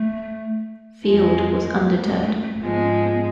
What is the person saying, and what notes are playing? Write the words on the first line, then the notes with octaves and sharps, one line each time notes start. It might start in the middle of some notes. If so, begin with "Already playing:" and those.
Field was undeterred.
Already playing: A3
F2 F3 G#3
G#3
A3
A3
G#2 F3 G#3 B3
C#4
B3